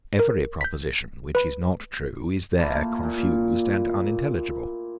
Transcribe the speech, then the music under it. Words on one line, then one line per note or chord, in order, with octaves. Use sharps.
Every proposition, which is not true, is there confused and unintelligible.
A#4
G6 B6
B4 B5
A3 A#3 E4 F4
A#2